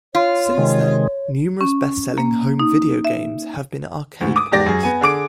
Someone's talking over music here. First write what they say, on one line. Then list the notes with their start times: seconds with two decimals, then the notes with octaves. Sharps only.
Since then, numerous best-selling home video games have been arcade ports.
0.15 F4 C#5
0.58 C3 D#3 G#3
1.61 C#4
2.18 A#3
2.60 D#4
3.05 E5
4.21 D2 G#2
4.36 D6 D#6
4.52 E2 G#2 G4 D5 A#6
4.66 F#2 G#4
4.83 B3 G#5
5.01 D3 G#4 D6 D7